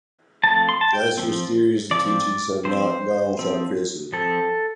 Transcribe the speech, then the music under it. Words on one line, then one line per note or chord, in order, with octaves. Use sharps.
Glasser's theories and teachings have not gone without criticism.
F3 A3 C4 A5
C6
A5
G5
F3 A3 C4
F3 C4 D5
F3 C4 C5
F3 C4
F3 C4 A4